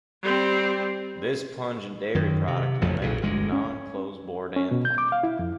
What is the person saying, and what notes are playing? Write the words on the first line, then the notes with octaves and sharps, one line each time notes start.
This pungent dairy product was made at the now-closed Borden plant.
G3 C4
F#2 D#3
C3
A1 F2 C#3 F3
B1 A#2 C#3
G1 D2 G#3
C#4
C#4
B2
G6
D6
F5
E4
F2